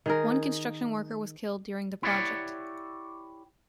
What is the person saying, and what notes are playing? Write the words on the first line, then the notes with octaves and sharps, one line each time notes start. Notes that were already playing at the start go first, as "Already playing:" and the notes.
One construction worker was killed during the project.
D#3 G#4 A#4
E4 G4 C#5 D5 F#5